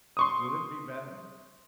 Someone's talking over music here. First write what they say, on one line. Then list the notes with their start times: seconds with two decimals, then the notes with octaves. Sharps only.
"Will it be better?"
0.17 C6 C#6 D#6